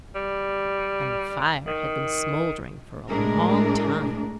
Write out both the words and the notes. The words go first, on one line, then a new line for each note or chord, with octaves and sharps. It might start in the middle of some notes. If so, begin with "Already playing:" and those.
And the fire had been smouldering for a long time.
G3
D#3
A2 G#3 A3 D4 G#4 A#4